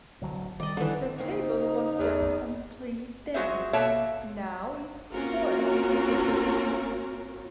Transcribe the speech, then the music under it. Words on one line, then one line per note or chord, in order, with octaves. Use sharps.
The table was just complete then: now it's spoilt.
D1 D3 F#3
D#3 G3 D5 D#5
D3 E3
C#3 A#3 C4 D#4
E2
F#3 F4 F#4 G#4 C5 E5
B2 A#3 A4 C#5 E5 A5
A#3 C4 C#4 F4 F#4 A#4